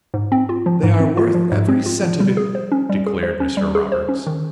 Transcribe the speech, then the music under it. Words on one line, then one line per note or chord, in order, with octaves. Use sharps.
"They are worth every cent of it," declared Mr. Roberts.
G#2
C4
F4
F3
G#2
C4
F4
F3
G#2
C4
F4
F3
G3
G#4
C5
C#4
G3
G#4
C5
C#4
G3
G#4
C5
C#4
D#3